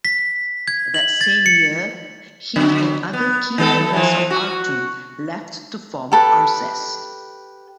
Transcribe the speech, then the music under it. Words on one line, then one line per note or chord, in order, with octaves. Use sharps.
That same year, he and other key members of Artoon left to form Arzest.
B6
G#6
F#7
A6
C#7
D3 F#3
B3
D#3 B3 A4
E3 F3
F#4
G4 A4 B4